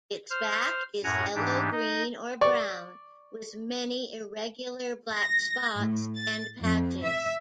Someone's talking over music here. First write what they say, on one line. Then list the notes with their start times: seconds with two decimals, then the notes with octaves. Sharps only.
Its back is yellow, green, or brown, with many irregular black spots and patches.
0.30 C5 F6
1.04 F#2 A2 F#5 G#5 A#5
1.35 G#2 E3 D4 G4
1.72 D#4 D#5
2.41 D5 C#6
5.14 A#6
5.76 A2
6.15 A6
6.60 F2
7.04 E5